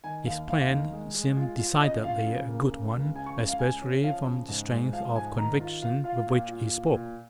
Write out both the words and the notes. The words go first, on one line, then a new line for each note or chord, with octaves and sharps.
His plan seemed decidedly a good one, especially from the strength of conviction with which he spoke.
D#3 G#5
D#2 F5
D#2 F5
D#3
G#3
G#3
F4
F4
C#3 D#5
F4 F5
C#3
A#3
C#3
C#2
C#3 G#5
C#6
C#2
F5
C#3 G#5
C#4
F3 F5
C#3
G#2
G#3
F3 F5
G#2 G#5
D#3 A#5
F4
F4 F5
F4 F5
A#2
F4
A#2
A#2